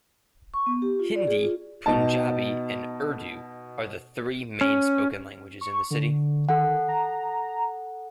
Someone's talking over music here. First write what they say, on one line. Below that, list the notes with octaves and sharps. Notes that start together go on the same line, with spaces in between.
Hindi, Punjabi and Urdu are the three main spoken languages in the city.
C#6
B3
G4
F4
D5
G#4
F4
B2 D#4 A5
C#4
C#6
D3
D#3 A4 F#5
A#5